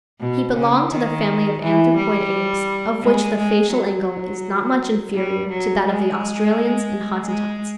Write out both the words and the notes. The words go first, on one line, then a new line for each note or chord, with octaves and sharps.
He belonged to the family of anthropoid apes, of which the facial angle is not much inferior to that of the Australians and Hottentots.
B2
C#3
D#3
E3
G3
G#3
G#3
F#3
G3
F#3
G#3
G#3